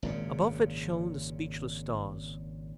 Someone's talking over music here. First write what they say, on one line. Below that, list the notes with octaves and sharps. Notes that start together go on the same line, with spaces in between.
Above it shone the speechless stars.
G#1 A#2 C#3